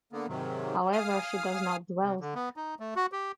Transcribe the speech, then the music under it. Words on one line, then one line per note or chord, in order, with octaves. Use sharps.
However, she does not dwell there.
D3 A#3 B3
G#2 C3 D#3 F#3
F#3
F5 G#5 D#6 F6
C3
D3
B3
D#4
A3
F#4
G4